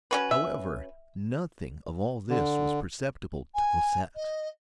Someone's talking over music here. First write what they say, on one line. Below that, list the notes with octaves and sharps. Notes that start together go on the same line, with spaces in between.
However, nothing of all this was perceptible to Cosette.
C#4 F#4 B4
E5
D3
G#5
D#5